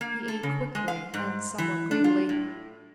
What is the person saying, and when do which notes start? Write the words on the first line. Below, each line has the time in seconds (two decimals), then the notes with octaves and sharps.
He ate quickly and somewhat greedily.
0.01 A#3
0.28 A4
0.43 C#3
0.75 G#3
0.88 F5
1.14 G#2
1.58 E3
1.91 D4
2.04 F4
2.29 A2